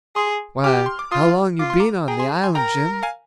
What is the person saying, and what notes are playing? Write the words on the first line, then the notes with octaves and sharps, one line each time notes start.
"Why, how long you been on the island, Jim?"
G#4 C6 D#6
G4 D6 F6
C6
D6
F4 C6 D#6
F4 D6
C6
A#5 D6
G#4 G5 A#5
G#5 C6
G#5 C6
A#4 G5 A#5
F5 G#5